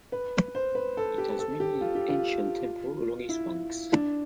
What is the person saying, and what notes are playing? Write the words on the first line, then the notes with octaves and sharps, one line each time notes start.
It has many ancient temples along its banks.
B4
C5
B4
A4
G4
A4
G4
F4
G4
F4
E4
D4